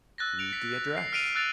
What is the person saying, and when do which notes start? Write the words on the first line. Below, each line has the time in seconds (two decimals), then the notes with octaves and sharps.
"Read the address."
0.18 E6 F#6 A6 A#6
0.39 C#7 D7 F7
0.53 B6
0.94 F#6 A#6 C7
1.13 F6 B6 D7 D#7 F7
1.35 E6 F#6 A6 D7 F7